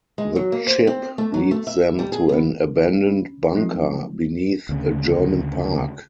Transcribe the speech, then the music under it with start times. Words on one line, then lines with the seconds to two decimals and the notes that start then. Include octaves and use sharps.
The chip leads them to an abandoned bunker beneath a German park.
0.18 G#3
0.36 F#3
0.52 A#3
0.67 C5
0.87 C4
1.18 A3
1.34 F#3
1.51 A3
1.67 E5
1.99 G3
2.12 G#4
2.29 B3
3.07 C#4
3.55 F3 F#3 A#3 C4 D#4 F4
4.69 D2 C#3